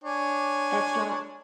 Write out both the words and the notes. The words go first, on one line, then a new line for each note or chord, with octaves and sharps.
that's not
D4 C#5 G#5